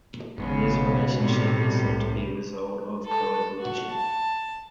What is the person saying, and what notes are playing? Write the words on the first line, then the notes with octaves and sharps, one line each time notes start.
This relationship is thought to be a result of co-evolution.
G#1 G#2 C#3 B3
B2
A2 C3 G3
C2
A4
F#4
A5